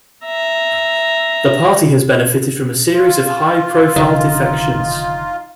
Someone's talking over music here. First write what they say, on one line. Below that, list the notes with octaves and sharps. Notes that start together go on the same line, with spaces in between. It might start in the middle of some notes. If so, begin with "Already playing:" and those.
The party has benefited from a series of high-profile defections.
E5 A#5
F4
F1 D3 D#3 D#4